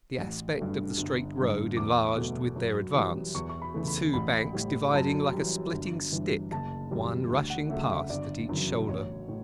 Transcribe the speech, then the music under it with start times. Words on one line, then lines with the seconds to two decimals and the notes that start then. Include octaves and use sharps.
The aspect of the straight road enlarged with their advance, the two banks dividing like a splitting stick; one rushing past at each shoulder.
0.18 A1
0.58 G2 F#3 A3
0.98 G1
1.37 G2 D3
1.76 E2 D6
2.16 B2 F#3 A3
2.56 F#2
2.95 E3 G3
3.34 E2 C#6
3.49 C#6
3.62 B5
3.74 C#3 E3 A3
3.87 B5
4.13 A1 B5
4.53 A2 G3
4.92 F#2 A5
5.33 E3 G3
5.73 G1
6.12 G2 E3
6.52 F#1 A5
6.91 F#2 E3 G3
7.30 D2
7.50 F#5
7.69 C#3 F#3 A3 E5
7.90 E5
8.10 G1 D5
8.49 F#2 C#3 E3
8.88 A1 C#5
9.28 A2